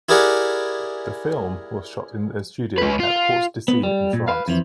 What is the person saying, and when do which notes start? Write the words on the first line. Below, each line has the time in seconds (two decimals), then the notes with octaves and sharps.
The film was shot in a studio at Hauts-de-Seine in France.
0.09 E4 G4 G#4 A#4 D5 F#5
2.78 C#2 B4
3.00 F4
3.68 B3
3.83 G3
4.13 A#2
4.28 B4 F5
4.48 F2 E3